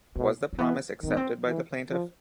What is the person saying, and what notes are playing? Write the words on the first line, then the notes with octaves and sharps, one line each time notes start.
Was the promise accepted by the plaintiff?
B2 A#3
A#3
E3 B3
D#3 C4
B3
C4
E3
F3